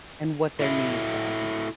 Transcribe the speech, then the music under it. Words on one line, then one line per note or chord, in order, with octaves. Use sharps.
and what their needs are.
E4 F#4 A4 E5